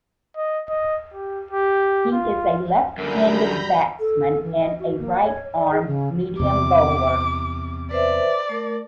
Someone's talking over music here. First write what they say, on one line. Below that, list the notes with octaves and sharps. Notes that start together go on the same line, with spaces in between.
He is a left-handed batsman and a right-arm medium bowler.
D#5
D#5
G4
G4
F4
F#2 D3 F#3 G3 A#4 A#5 B5 G6
A4
E3
D#5
F#4
A#3
C#5
D5
G#4
C#3
E2 C3 C4 D6
B4 C5 D5 E5
A3 A#4